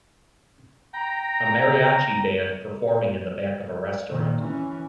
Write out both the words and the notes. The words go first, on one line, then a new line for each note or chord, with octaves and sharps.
A Mariachi band performing in the back of a restaurant.
G5 A#5
A#2 D#3
E3 C#4